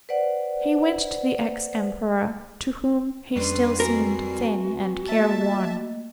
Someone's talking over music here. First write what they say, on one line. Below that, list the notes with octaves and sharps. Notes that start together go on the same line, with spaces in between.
He went to the ex-Emperor, to whom he still seemed thin and careworn.
B4 C5 D5 F#5
F2 G3 C#4 D4 B4 C6 C7
C4 F#4 A#4 B4 G#5
A3 A#3 D#5 E5 A5 A6